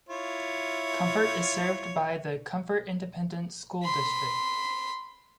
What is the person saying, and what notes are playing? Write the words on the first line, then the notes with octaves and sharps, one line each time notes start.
Comfort is served by the Comfort Independent School District.
E4 F4 C#5
B5 C6